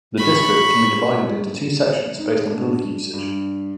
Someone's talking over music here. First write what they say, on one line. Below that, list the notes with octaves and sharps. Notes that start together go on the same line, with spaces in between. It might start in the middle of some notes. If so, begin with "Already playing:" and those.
The district can be divided into two sections based on building usage.
B5 C#6
D#4
D4
G2